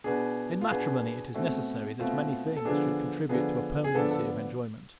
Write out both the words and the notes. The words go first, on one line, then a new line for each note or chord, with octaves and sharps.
In matrimony it is necessary that many things should contribute to a permanency of enjoyment.
B2 B3 D4 G#4
F4
B2 B3 D4 G#4
B2 A3 C4
B2 A3 C4 F4
A4
D3 F3 B3 D4 G#4
D3 F3 B3 D4 G#4
G#4
D3 F3 B3 D4 A4
A4